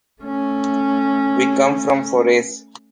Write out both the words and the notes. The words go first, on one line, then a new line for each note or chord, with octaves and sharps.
We come from Forès.
A3 C#4